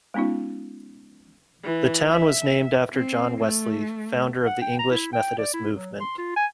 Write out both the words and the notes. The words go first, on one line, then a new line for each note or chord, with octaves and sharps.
The town was named after John Wesley, founder of the English Methodist movement.
G#3 B3 C#4 D#4 F4
E3
E5
C4
A3
F#5
G5
A#5
E4
G5
D5
E4
F#3
C6
F4
G#5